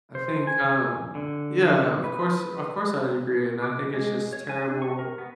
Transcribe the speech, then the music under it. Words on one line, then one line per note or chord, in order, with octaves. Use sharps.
I think, um yeah, of course of course I'd agree, and I think it's just terrible
C5
G#5
D3
B4
D6
G#3
C#5
G#5
D4
C#6
A#4
B3